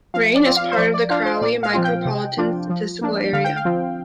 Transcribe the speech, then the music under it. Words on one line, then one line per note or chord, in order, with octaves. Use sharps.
Rayne is part of the Crowley Micropolitan Statistical Area.
F3 F5
D5
C4 F4
F5
C5
F3 D5
D5
D4 F4 F5
C5
A#2 D5
F5
F3 C4 F4
G5
C3
F3 D4 F4
F3
A#3 D4
D3 F5
G5
F5
F3 C4 F4